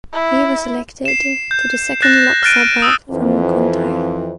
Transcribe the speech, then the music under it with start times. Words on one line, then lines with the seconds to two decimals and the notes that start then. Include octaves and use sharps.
He was elected to the second Lok Sabha from Contai.
0.14 E4
1.05 C7 E7
1.51 G6
2.02 F#6 A6 A#6 E7
2.43 F6 F#6 A6 D7 D#7
2.82 D#6 E6
3.09 F2 E3 C4